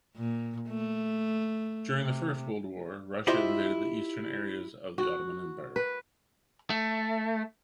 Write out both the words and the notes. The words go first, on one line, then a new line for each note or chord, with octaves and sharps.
During the First World War Russia invaded the eastern areas of the Ottoman Empire.
A#2
A3
C3
E4 F4 G4 C5 D#5 E5
F#4
B4
A3